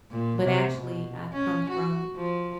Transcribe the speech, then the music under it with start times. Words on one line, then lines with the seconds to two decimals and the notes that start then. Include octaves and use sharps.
But, actually, I come from
0.11 A#2
0.43 C3
0.78 B2
1.33 C#4
1.70 F#4
2.16 F3